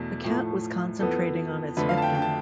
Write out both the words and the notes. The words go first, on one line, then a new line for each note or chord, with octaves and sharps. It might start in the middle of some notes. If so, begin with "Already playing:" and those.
The cat was concentrating on its victim.
Already playing: E2 B2 A3
A2 F3 A3
F2 E3 B3 A4
F2 D3 A3 B4
F5
A5
G5
G5
A5